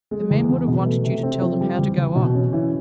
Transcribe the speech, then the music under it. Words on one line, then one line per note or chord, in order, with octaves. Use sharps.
The men would have wanted you to tell them how to go on.
G#3
E2
B3
B2
A3
C3
C4
F3
G3
E2
E2
B2
C#4
E3